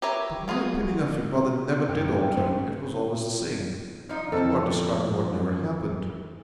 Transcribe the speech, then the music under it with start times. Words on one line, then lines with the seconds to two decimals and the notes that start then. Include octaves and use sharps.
"But my opinion of your brother never did alter; it was always the same. You are describing what never happened."
0.02 G4 A#4 B4 C#5 E5
0.48 B3 F4 F#4 G#4
1.89 F#2 G5
2.37 A3 C#4 C5
4.09 F3 D#4
4.32 F2 A4